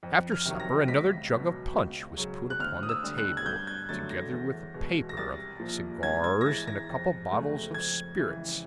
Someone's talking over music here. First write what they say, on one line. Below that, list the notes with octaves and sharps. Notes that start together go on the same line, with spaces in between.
After supper, another jug of punch was put upon the table, together with a paper of cigars, and a couple of bottles of spirits.
F2
F6
C3 D#3 F#3
A#6
C#2 B6
B2 F#3
C#2
C#3 F#3
F#6
D2 F6
D#6
E6
D3 G3
F#6
G#6
G2 G6
G#6
D3 F#3 A3 A6
A#6
E2
B2 G#3
A#6
C2 A6
A#2 F3
G#2 G#6
G#6
A#6
E3 G#3 A6
A#6
F2
C#3 F#3 A3
F2 G#6
C#3 E3 G#3